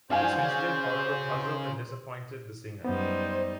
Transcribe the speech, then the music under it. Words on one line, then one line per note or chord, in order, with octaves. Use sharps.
This incident however puzzled and disappointed the singer.
G2 F#4 G4 C5 D5 F5 G#5
C#3
C6
F#2 G3 B3 D#4 C5